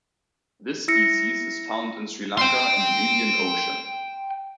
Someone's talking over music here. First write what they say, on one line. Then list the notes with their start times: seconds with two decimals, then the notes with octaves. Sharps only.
This species is found in Sri Lanka, in the Indian Ocean.
0.88 E4 E6 A#6 C#7
2.38 G5 C6